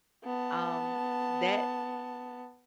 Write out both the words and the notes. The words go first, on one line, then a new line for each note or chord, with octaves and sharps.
um, that
B3 A5